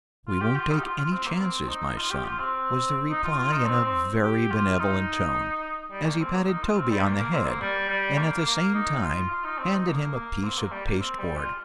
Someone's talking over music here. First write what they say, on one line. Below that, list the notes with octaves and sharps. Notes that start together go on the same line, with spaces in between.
"We won't take any chances, my son," was the reply, in a very benevolent tone, as he patted Toby on the head, and at the same time handed him a piece of pasteboard.
F4
G4
F4
D#4
G4
F4
F4
C4
A#3
C4
D#4
F4
G4
F4
C4
D#4
F4
F4
D#4
C4
C4
G4
F4
D#4
G3
A#3
C4
A#3
D#4
F4
C4
G3
A#3
A#3
C4
A#3
G3
G3
A#3
A#3
D#4
F4
F4
D#4
C4
D#4
A#3
A#3
C4
A#3
G3
A#3
C4
G3
F4